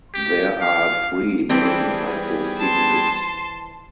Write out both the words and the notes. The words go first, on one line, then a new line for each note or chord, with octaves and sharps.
There are three main hypotheses.
G4
F5
E3 G3 B3 C4 D4 G#4
A5 C6